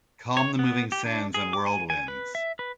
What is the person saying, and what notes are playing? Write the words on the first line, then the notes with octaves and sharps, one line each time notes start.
Calm the moving sands and whirlwinds.
C#5
B3
G4
D4
G#4
D6
G#5
G#5
B4
E5
B4